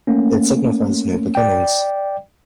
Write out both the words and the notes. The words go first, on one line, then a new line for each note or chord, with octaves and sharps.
It signifies new beginnings.
A3 A#3 C#4
D5 G5